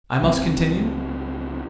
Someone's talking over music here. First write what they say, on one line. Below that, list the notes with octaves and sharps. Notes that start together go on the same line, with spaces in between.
I must continue?
C#2 F#3 B3 C4